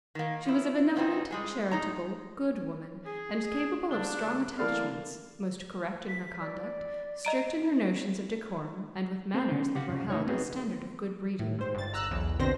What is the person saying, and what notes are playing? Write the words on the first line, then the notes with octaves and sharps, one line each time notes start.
She was a benevolent, charitable, good woman, and capable of strong attachments, most correct in her conduct, strict in her notions of decorum, and with manners that were held a standard of good-breeding.
D#3 A#3
F3 E4
F2 A#2 B3 C4 D#4
G3 G#3 G#4
A2 D#4 A#5
G#4
C#3 G3 D4 G7
E3 A3 A#3 D5 F5
B6
D5
D#5 A#5 D7
C4 A4 C5
C#3 C#4
G4 F5 F#5
F2 C#3
A3 D#4 C#5
B3 C4 D#4 F#4 G#4 B4
A2
G#2 C5
G1 A6
G1 A#5 E6 F#6
B1 E2
A#1 B2 D3 C4 C5 A#6